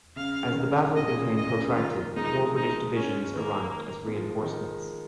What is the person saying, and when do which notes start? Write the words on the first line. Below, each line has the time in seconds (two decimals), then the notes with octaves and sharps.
As the battle became protracted, more British divisions arrived as reinforcements.
0.16 C#3 F5
0.43 C#3
0.52 D#3
0.61 C#3
0.96 A#2 D#5
1.04 C#3
1.13 A#2
1.23 C#3
1.37 D#5
1.50 C#3
1.76 D#3 F4
1.96 F3
2.16 G#3 D#4
2.36 F3
2.56 D#4
2.96 C#4
3.36 D#3 A#3
4.08 G#3
4.16 F3
4.42 D#3